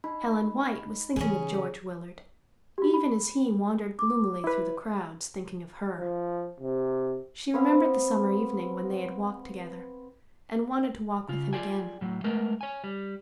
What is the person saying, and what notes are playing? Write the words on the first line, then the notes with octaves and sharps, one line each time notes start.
Helen White was thinking of George Willard even as he wandered gloomily through the crowds thinking of her. She remembered the summer evening when they had walked together and wanted to walk with him again.
D#4 B5
C#3 E3 C#4 G#4
F#4 G4
B5
D6
E4 B4
F3
C3
B3 C4 B4 F5
C#3 F4
F4 G#4 D5 G5 G#5
A2 F#3
G#3 A3 B3 A#4
C#5 G#5
G3